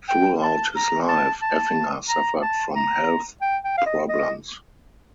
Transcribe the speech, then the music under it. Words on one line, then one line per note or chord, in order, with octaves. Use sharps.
Throughout his life, Effinger suffered from health problems.
G5
A5
A#5
A5
A5
A#5
A5
A#5
G5
G5
F5
D#5
D#5